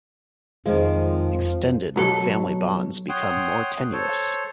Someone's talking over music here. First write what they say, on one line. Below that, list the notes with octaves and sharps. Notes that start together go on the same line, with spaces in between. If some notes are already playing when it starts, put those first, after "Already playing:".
Extended family bonds become more tenuous.
F2 D#3 F3 G#3
B1 F#3 A4
C#5 F#5 G5 C6 D#6
A4 C5 C#5